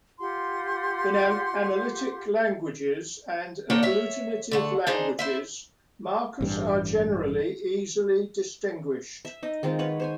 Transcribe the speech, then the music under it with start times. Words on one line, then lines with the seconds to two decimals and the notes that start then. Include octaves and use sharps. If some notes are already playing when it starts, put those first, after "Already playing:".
In analytic languages and agglutinative languages, markers are generally easily distinguished.
0.20 F4 G4 F#5 C6
3.70 A#3 D4 D#4 C#5 F#5 G5
3.83 C#5 E5
4.51 D3 A3 F#5
4.87 D4 D#4 G#4 C5
5.19 E4 C5 E5
6.41 A1 G2
9.25 E5
9.43 D#4 D#5
9.63 D#3 G#3 C4 F4
9.79 B4 C#5 F#5
10.00 C5 C#5 G#5